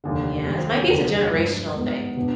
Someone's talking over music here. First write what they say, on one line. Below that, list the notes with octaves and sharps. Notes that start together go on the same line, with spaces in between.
yes, maybe it's a generational thing
F1 D#2 D3
D#2 D#3 G3 C4
F1 D#2 D3
G2 F3 G#3
G#2 G3 B3
B2 B3 D4